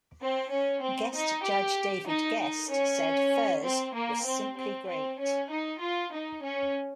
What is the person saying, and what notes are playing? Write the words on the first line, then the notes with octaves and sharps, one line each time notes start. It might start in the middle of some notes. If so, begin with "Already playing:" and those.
Guest judge David Gest said Furze was simply great.
C4
C#4
C4
D#4
G4
D#4
D#4
C#4
C4
A#3
C4
C4
C4
C#4
D#4
F4
D#4
C#4